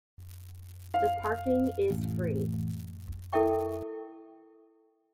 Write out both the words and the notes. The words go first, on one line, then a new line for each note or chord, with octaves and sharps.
The parking is free.
F5
A1
E4 A4 A#4 E5 G5 C#6